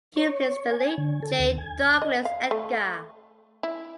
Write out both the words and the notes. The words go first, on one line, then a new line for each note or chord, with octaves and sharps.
He replaced the late J. Douglas Edgar.
C#5
G#5
D3
A4
D#2
G#5
D#5
F5
A3
E4